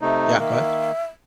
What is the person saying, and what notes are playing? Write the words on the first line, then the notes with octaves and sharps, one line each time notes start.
Yeah, go ahead.
C3 A3 D#4
D#3 A#3 E5